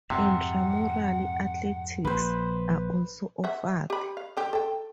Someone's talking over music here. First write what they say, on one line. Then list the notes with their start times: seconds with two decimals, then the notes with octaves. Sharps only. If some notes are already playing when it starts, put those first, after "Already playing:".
Intramural athletics are also offered.
0.10 F2 G#2 C3 F#5
2.05 A#1 B4 C5
3.44 E5 F#5
3.90 G4 B5
4.17 F5
4.37 D3 G4
4.53 A4 G5